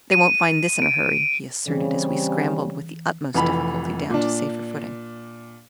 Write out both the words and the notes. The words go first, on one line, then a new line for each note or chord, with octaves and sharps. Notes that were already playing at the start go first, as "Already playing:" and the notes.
"They won't find this in a hurry," he asserted, as we scrambled with the utmost difficulty down to safer footing.
D#7
D7
C#3 E3 G3 C4
F1 E3 B5
A#2 D4